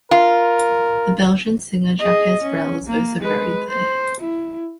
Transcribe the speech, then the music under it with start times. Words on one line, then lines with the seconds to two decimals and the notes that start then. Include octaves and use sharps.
The Belgian singer Jacques Brel is also buried there.
0.11 F4 A#4
1.99 G#4 D#5
2.43 C#4
2.87 A#3
3.21 G#3 B4
3.69 C5
4.20 E4